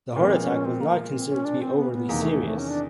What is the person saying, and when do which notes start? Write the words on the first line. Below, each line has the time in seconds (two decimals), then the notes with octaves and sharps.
The heart attack was not considered to be overly serious.
0.16 A#2 F3 G#3 B3 C4
0.41 C#4
0.65 C4
0.81 A#3
1.13 C4
1.28 C#4
1.45 D4
1.61 C4
1.77 B3
1.93 B3
2.09 E2 C3 D#3 A#3
2.22 A3
2.33 A3
2.41 A#3
2.45 A3
2.58 C#4
2.69 D4